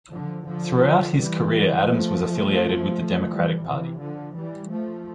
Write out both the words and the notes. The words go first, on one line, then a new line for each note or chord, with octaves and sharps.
Throughout his career Adams was affiliated with the Democratic Party.
D3 F3
D3 F3
E3 G3
F3 A3
E3 G3
C3 E3
D3 F3
E3 G3
F3 A3